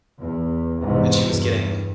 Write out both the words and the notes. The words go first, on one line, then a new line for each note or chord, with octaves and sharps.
and she was getting,
E2
E2 G#2 C3
E2 G2